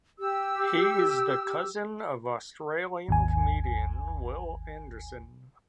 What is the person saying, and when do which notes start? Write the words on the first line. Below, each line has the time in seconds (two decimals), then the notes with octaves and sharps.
He is the cousin of Australian comedian Wil Anderson.
0.19 G4 E6
3.09 G#1 D#2 G#5